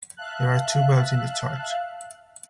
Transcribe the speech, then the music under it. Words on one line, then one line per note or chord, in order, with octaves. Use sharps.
There are two bells in the church.
E5 F5 A5 F#6